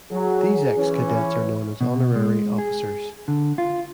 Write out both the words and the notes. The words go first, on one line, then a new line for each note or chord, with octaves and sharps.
These ex-cadets are known as "Honorary Officers".
F#3 G#4
E3 C#4
B2
G#3
G#4
D3
F4